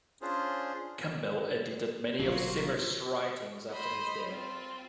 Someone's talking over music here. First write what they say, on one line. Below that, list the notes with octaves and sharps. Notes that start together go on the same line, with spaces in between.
Campbell edited many of Zimmer's writings after his death.
C#4 D4 F4 G#4 C5
G1 B2 F#3 A#3 C#4 F4
C5 D#5 B5
C4 F4